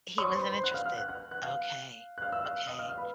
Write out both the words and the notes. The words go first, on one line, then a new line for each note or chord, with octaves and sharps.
He wasn't interested. Okay. Okay.
C#5 C#6
C5 C6
B4 B5
C5 C6
F#5 F#6
F5 F6
F5 F6
F#5 F#6
F#5 F#6
F#5 F#6
F5 F6
F#6
F5 F6
E5 E6
F5 F6
D#5 D#6
F5 F6
F5 F6
B4 B5